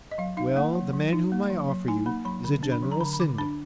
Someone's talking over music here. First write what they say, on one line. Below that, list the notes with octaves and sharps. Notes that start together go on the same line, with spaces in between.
"Well, the man whom I offer you is a general syndic."
D#5
F#3 F5
D#4 F5
A#3 F#5
F#3
F#3
D#4
A#3
F#3
F#3
D#4 G#5
A#3 B5
F#3 B5
D3 B5
D4
B5
F#3
A#5
D3 B5
B5
D3 D6
D4 B5